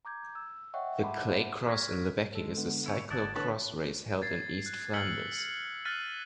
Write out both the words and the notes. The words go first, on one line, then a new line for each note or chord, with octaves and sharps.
The Clay Cross in Lebbeke is a cyclo-cross race held in East Flanders.
A#5 D6 G6 G#6
E6
C#5 D#5 E5 F#5 G5 C#6
E5 F#5 A5 B5 C6 D6
C#6 F6 F#6 G#6 A#6 B6
G#3 A4
D3 B3
E4 C#5
G1 D5 D#5 F#5 A5 G#6
D3 E3 B4 C#5 A5 B5
G#6 A6 C7
F#6
E6 F6 B6 C#7 F#7
C#7
F6 F#6 A6 B6 D#7